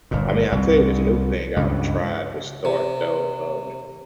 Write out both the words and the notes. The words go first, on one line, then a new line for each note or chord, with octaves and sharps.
I mean, I'll tell you this new thing I've tried to start, though, um,
G1 A#2
C2
C#2 G2
C3